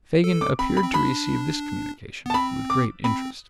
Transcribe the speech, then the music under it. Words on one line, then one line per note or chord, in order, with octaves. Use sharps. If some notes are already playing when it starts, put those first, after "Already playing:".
Fagin appeared to receive this communication with great interest.
A4
D6
C4 B5
B5
C4
D4 B5
B3
A5
C4 B5
D6
C4 B5